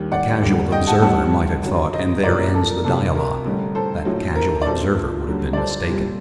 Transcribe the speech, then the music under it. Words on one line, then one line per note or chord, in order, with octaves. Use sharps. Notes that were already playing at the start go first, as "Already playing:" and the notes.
A casual observer might have thought "and there ends the dialogue!" That casual observer would have been mistaken.
Already playing: D#2 D#3 G3
D5 F#5
D#2 D3 G3
D#5 G5
F#5 A5
A1 A2 G3 F#5 A5
F#2 D3 F#3
C5 D#5
C2 A#2 F#3 A#4 D5
A#4
A4
A#4
C2 C3 F#3 A4
A#4
A1 G2 D3 G3
A4 C5
A#1 A2 F#3
C5
A#4
D5
A#1 A#2 F#3 A4 C5
F#2 D3 G3
D5
A4 C5
C2 A#2 G3